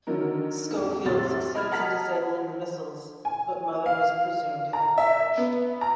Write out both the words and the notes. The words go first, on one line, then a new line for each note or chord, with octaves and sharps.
Schofield succeeds in disabling the missiles, but Mother is presumed to have perished.
D3 D#3 F#3 A#4
F2
F1 C2 C3 C6 A6
D#5 B5 F6 G#6
D#5 F#5 A5 A#5 F6 B6
G#5
F5
A#5
E5
B3
A#5